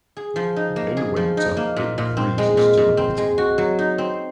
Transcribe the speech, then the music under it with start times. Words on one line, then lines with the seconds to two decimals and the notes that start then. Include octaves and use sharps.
In winter it freezes to the bottom.
0.17 G#4
0.36 F3
0.56 D#4
0.76 A#3
0.97 G#4
1.16 F3
1.37 D#4
1.57 A#3
1.76 A#2
1.98 A#2
2.17 C4
2.38 G#3
2.57 A#2
2.77 A#2
2.97 C4
3.18 G#3
3.38 F#4
3.58 F#3
3.79 D#4
3.98 C4